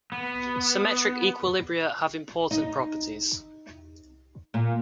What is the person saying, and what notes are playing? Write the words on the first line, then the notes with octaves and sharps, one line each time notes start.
Symmetric equilibria have important properties.
B3
D#4
A#2